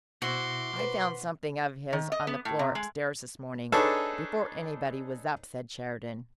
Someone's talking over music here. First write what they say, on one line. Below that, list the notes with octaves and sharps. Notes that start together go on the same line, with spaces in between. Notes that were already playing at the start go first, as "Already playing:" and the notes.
"I found something of his on the floor up-stairs this morning, before anybody was up," said Sheridan.
B2 E4 F#4 C5 E5 C6 D6
B4 C5
D#3
D#5
B3
A2
C3
G#3
D4 D#4 G#4 A4 B4 C#5